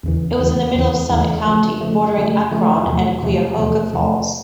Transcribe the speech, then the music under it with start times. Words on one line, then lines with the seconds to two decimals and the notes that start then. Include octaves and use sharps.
It was in the middle of Summit County, bordering Akron and Cuyahoga Falls.
0.03 E2 C#3 E3
0.39 E2 C#3 E3
0.75 E2 C#3 E3
1.10 E2 C#3 E3
1.45 F2 C#3 F3 A3
1.81 F2 C#3 F3 A3
2.16 F2 C#3 F3 A3
2.51 F2 C#3 F3 A3
2.86 E2 C3 F3 A3
3.22 E2 C3 F3 A3
3.57 E2 C3 F3 A3
3.93 E2 C3 F3 A3